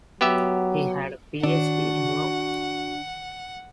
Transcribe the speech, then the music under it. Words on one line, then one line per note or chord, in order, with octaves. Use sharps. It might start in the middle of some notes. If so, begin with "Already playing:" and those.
He had a PhD in law.
F#3 B3 G4 E5
D#3 D4 F#4 F#5